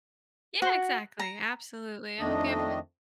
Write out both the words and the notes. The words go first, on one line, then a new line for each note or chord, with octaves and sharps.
Yeah, exactly. Absolutely. I hope you have
F#4
A#5
F2 D#3 A3 D4 D#5